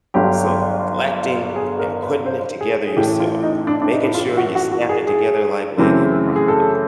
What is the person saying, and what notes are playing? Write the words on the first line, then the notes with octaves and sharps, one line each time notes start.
selecting and putting it together yourself, making sure you snap it together like Lego properly.
G1 G2 D3 F#3 G4
G#4
A#4
B4
C5
G#4
G#4
A1 A2 E3 G4
F4
D#4
D4
D4
D#4
E4
F4
F#4
F#4
F#4
G#4
G#4
F#2 C#3 E3 A3 C4
G#4
A4